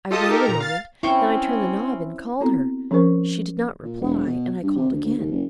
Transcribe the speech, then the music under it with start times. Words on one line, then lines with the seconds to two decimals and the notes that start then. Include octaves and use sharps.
I waited a moment, then I turned the knob and called her: she did not reply and I called again.
0.11 F4 G4 A4 D#5 A5 D#6
0.29 D#4 G4 A4 A#4
0.45 A#2 A#5
0.60 F5 A6
1.03 C4 C#4 E4 C5 G5 C#6
2.41 B3 C4 E4 F#4 A4 A#5
2.91 F3 C#4 G#4 A#4 C5 C#6
3.84 A#2
4.01 E1
4.26 B2
4.63 G2
4.76 C3
4.91 D2
5.04 D2
5.18 D#2
5.31 F#1